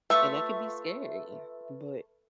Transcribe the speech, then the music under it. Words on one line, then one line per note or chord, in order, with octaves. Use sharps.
and that could be scary, but,
A3 F4 B4 E5 C#6 E6